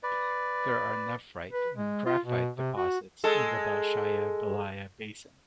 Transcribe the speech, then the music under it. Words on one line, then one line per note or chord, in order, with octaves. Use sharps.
There are nephrite and graphite deposits in the Bolshaya Belaya basin.
B4 D5
B4
G#3
F4
B2
C3
F#4
G#3 A4